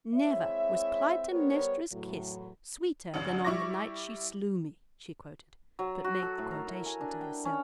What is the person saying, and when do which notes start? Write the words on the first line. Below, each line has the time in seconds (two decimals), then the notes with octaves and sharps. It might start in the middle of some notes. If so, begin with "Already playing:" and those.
"Never was Clytemnestra's kiss sweeter than on the night she slew me," she quoted, but made the quotation to herself.
0.15 G#3 C4 E4 C#5 E5
1.30 G3 B3 A#4 C5 C#5
1.92 E2 A2 F#3
3.14 A1 D2 G2
3.45 G3 E4 C#6 D6 A#6
5.79 F#3
6.04 F#4
6.22 A4
6.38 A2
6.51 A#4
6.67 E4
6.86 G#5
7.01 D4
7.21 G5
7.45 C#4